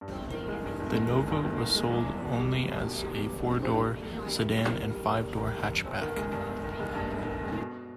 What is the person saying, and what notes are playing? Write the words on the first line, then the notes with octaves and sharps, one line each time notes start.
The Nova was sold only as a four-door sedan and five-door hatchback.
G2
G1
D#3
G#3
G2
G1
D#3
G#3
G2
G1
D#3
G#3
E2
E1
B2
G3
E2
E1
B2
G3
E2
E1
B2
G3
D#2
E1
D#3
G3
D#2
E1
D#3
G3
D#2
E1
D#3
G3
G2
G1
D#3
G#3
G2
G1
D#3
G#3
G2
G1
D#3
G#3
B2